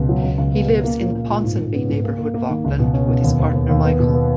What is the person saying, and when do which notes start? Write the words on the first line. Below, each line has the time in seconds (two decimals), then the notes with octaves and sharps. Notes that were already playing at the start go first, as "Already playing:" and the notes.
He lives in the Ponsonby neighborhood of Auckland with his partner Michael.
Already playing: C#2 B2
0.09 F#3
0.23 C#2
0.38 C#2
0.54 B3
0.68 B2
0.84 A#3
0.99 A#2
1.13 A#2
1.29 A#2
1.44 G#2
1.59 G#2
1.74 B3
1.89 G#2
2.04 A#3
2.18 A#3
2.34 A#3
2.49 D#3
2.64 C#2
2.79 B2
2.94 C#4
3.09 B2
3.24 D#2
3.40 D#2
3.54 D#2
3.69 D#2
3.84 B3
4.00 B2
4.14 B3